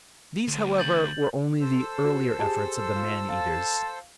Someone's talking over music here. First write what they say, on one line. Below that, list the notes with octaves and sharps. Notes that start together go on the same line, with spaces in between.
These, however, were only the earlier efforts of the man-eaters.
D2
G6 A6 F#7
A4 C5 E6
F#4
G4 G#4 A5
F4
F5 A5